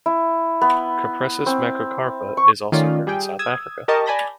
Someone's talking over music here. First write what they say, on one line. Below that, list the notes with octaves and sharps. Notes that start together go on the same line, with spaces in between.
"Cupressus macrocarpa" is also grown in South Africa.
E4
B3
C4
C#6
D#3 A3 C#4 F4 D5
G3 G#4 G5
D#6 E6 G#6
G4 A#4 D#5 A5 C#6
D5 G#5 A5 B5 G6 A#6